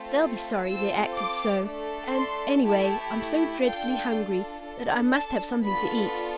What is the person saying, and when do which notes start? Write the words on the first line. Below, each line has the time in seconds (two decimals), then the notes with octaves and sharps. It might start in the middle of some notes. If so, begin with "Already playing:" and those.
They'll be sorry they acted so, and, any way, I'm so dreadfully hungry that I must have something to eat!
Already playing: A3 C4 F4 A4
0.65 C4 F4 A4 E6
1.15 D6
1.64 A3 D4 A4
2.15 C6
2.65 A3 E4 G4 A5
3.65 D4 F4 A4 G5
4.65 D4 A4
5.16 A5
5.65 B3 D4 F4 A4 B5